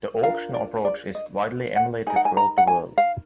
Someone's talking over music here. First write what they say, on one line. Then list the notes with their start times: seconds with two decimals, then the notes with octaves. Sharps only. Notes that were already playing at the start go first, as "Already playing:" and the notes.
The auction approach is widely emulated throughout the world.
0.23 D4 F4 A#4 F5
0.54 D5
0.85 D5
1.15 D#5
1.76 F#5
2.07 D#4 A#4 G#5
2.16 F#5
2.25 G#5
2.37 A#5
2.58 F#5
2.67 G#5
2.98 F5